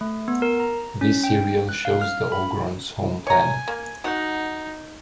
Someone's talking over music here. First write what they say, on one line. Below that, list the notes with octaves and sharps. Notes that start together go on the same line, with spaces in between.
This serial shows the Ogrons home planet.
A3
B3
A#4
A#5
C#4
G5
F#6
F5
F6
B5
C#5 G#5 A#5
A#3
D#4 F#4 F#5